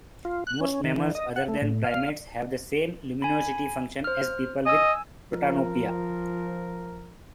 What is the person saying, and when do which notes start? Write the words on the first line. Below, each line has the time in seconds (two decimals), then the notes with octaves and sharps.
Most mammals other than primates have the same luminosity function as people with protanopia.
0.25 F4
0.47 F#6
0.61 C#4
0.84 D#3
0.98 E3
1.15 D#5
1.36 F#5
1.48 A3
1.62 A2
1.84 F5
3.22 G#5 B5
4.04 C5 F6
4.66 D#5 G#5 E6
5.31 F3 A#4